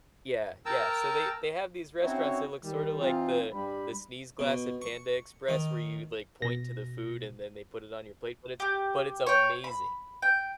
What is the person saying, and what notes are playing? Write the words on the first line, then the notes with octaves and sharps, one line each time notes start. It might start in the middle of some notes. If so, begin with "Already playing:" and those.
Yeah, yeah. So they they have these restaurants that look sorta like the the sneeze glass at Panda Express where you, like, point to the food and then they put it on your plate, but it's but it's amazing.
A#4 G5 A5 A#5 E6
C4 C#4 D#4 E4 F#4 C#5
D#3 G3
E3 C4 D#4 F4
G2 G3 B5
B2
C#6
D#3
B2 A#6
G4
C#5 G5
B5
G5